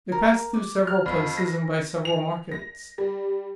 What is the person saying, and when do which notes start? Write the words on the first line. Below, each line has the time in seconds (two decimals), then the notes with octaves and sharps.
They passed through several places, and by several markets.
0.12 A#4
0.54 D5
0.87 F6
1.06 F2
1.38 A#6
2.05 F7
2.51 A#6
2.98 G3